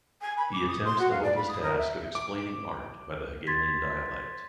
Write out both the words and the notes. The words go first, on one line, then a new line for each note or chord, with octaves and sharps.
He attempts the hopeless task of explaining art by the Hegelian dialectic.
G#5
B5
D6
D#6
C6
F#4
F5
D5
B5
D#6
A#4
E5
D6
C6 G#6 A6 B6